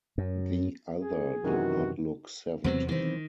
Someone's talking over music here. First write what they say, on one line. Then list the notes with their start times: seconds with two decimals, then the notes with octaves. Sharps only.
The other did not look seventeen.
0.18 F#2
1.00 G#4
1.44 F#2 C3 D#3 E3 F#4
2.64 E2 C3 F#3 B3 C4
2.89 D#3 E3 C4